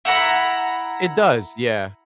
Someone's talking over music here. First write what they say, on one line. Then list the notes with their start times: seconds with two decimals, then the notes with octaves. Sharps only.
It does, yeah.
0.05 E4 F#5 A#5 B5